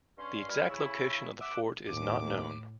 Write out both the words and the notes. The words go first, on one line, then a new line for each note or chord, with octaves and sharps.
The exact location of the fort is not known.
G2 C#4 C6
D2 G2 G#3 G#5 B5 F6
C#3 E4
E5 F#5 D6
D#2 A2 D6